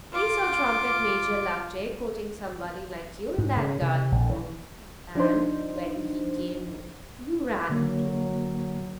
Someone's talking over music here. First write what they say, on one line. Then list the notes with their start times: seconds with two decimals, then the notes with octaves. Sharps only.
He saw Trumpet-major Loveday courting somebody like you in that garden walk; and when he came you ran indoors.'
0.13 F4 D6
3.38 G#2
3.57 C#3
3.82 C3
4.12 A#1
4.29 E3
5.15 F3 D4 D#4 C5
7.69 D3 F#3 A#3